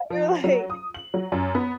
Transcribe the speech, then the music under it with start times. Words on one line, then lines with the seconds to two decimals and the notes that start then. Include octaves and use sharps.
you're like
0.10 F3
0.44 F#3
0.70 D#6
0.94 F#7
1.14 F#3
1.32 F#2
1.55 B3